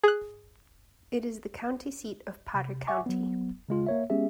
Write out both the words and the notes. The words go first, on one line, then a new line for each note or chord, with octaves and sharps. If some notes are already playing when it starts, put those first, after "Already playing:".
It is the county seat of Potter County.
G#4 F#6
C3
E5 F#5 G#5 C#6 D6
F#3 B3
C#3 G#3 F4
A#3 C#5 E5
G#3 B3 C#4 G4 G#4 E5